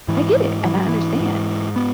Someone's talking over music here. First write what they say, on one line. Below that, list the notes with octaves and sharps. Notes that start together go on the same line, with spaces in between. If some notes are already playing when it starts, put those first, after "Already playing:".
I get it, and I understand.
G#2 E3
E3
F#3
E3
G#2
B3